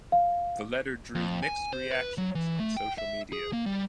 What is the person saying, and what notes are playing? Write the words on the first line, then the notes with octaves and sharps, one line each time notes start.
The letter drew mixed reactions on social media.
F5
F2
G#5
C5
B4
F#3
E3
A3
G5
E5
G#4
A#3
G3